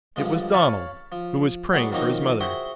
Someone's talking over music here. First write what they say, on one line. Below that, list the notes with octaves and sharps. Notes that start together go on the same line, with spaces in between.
It was Donald who was praying for his mother.
G2 D3 F3 G#3
C#5 F5 A5 B5
F3
D3 F#3 G#3 B3
D#3 F3 F#3 A#3 C4 D#4
F#4 G#4 C5 E5 G5